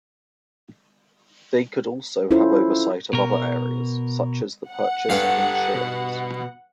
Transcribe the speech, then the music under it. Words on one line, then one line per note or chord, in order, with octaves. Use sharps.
They could also have oversight of other areas, such as the purchase of insurance.
C#4 E4 F4 A4 C5
B2 A#4
F#5
G2 G4 A4 F5
B2